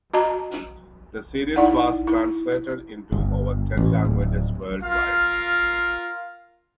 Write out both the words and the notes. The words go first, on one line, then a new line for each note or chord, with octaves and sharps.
The series was translated into over ten languages worldwide.
F#4 D#5 A5 A#5
D#4 E4 D5 F#5
E4
G1
A1
D1
F4 A#4 F5